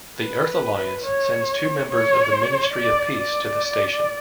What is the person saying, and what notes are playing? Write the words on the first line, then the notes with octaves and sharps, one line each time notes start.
The Earth Alliance sends two members of the Ministry of Peace to the station.
B4
C#5
C#5
D5
D5